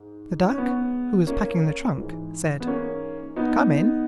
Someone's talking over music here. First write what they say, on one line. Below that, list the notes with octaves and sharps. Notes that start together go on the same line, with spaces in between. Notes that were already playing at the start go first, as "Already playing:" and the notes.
The duck, who was packing the trunk, said, "Come in!"
Already playing: G#2
C#4
B3
A#3 C#4
G#2 E3
B3
A#3 C#4
B3 D#4